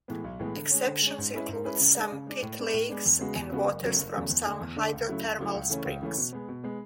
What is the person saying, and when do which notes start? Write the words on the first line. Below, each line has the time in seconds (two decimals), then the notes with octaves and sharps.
Exceptions include some pit lakes and waters from some hydrothermal springs.
0.08 A2 E3 G#3 B3
0.24 B1
0.39 A2 E3 G#3 B3
0.56 D3
0.71 G#3 C#4
0.86 D3
1.02 G#3
1.07 C#4
1.18 G#2
1.33 G#3 C#4 E4 B4
1.49 G#2
1.64 G#3 C#4 E4 B4
1.80 C#3
1.96 G#3 D4
2.12 C#3
2.27 G#3 D4
2.42 A2
2.58 G#3 B3 D4
2.74 A2
2.89 G#3 B3 D4
3.06 E2
3.20 C#3 G#3 B3 F#4
3.36 E2
3.52 C#3 G#3 B3 F#4
3.67 F#1
3.82 E2 C#3 F#3 A3
3.98 F#1
4.14 E2 C#3 F#3 A3
4.30 E2
4.46 D3 A3 D4
4.61 E2
4.76 D3 A3 D4
4.92 C#2
5.08 C#3 F#3 A3 E4
5.23 C#2
5.39 C#3 F#3 A3 E4
5.54 C#2
5.70 C#3 E3 A3 C#4
5.86 C#2
6.01 C#3 E3 A3 C#4
6.17 B2
6.32 G#3 B3
6.49 B2
6.64 G#3 B3